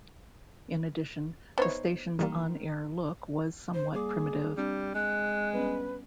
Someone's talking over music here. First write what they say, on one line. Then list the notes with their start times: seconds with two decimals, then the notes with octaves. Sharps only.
In addition, the station's on-air look was somewhat primitive.
1.58 B3 D#4 C5 C#5 E5 G#5
2.19 D#3 E3 G3 A#3
3.74 C5
3.94 G3 A#3 G#4 D6
4.57 G3 C4 D4
4.95 G#3 F#6
5.53 G3 B3 C#4 B4